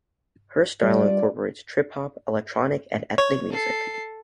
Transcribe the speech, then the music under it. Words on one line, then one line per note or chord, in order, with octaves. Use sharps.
Her style incorporates trip hop, electronic and ethnic music.
G3 D4 F4 D5
C#5
A4 C7